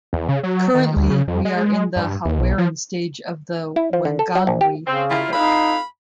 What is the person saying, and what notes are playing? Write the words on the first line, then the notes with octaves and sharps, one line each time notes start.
Currently, we are in the Haweran stage of the Wanganui epoch.
E2
C#3
F#3
D#3
D2
C#3
F2
G#3
G2
D#2
B1
F3
E4
F3
D3
A4
F#3
A#1
G4
C#3 C4
G3 A#3 E4 F4
F2 D#4 E4 F5 B5